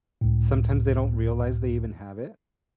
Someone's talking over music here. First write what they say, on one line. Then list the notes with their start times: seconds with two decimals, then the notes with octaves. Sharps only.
sometimes they don't realize they even have it,
0.21 C#2 A2